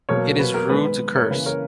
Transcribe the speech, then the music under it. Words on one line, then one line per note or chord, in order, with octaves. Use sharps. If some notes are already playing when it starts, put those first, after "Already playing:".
It is rude to curse.
B2 F#3 A#3 A#4 C#5
B4
A#4
D#3 G#3 B3 B4
B4
A#4 C#5
C#3 E3 A#3 B4
A#4 C#5